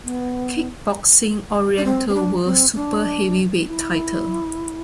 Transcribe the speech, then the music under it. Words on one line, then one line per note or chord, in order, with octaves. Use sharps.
Kickboxing Oriental World Super Heavyweight title.
B3
D4
C4
C4
D4
C4
D4
E4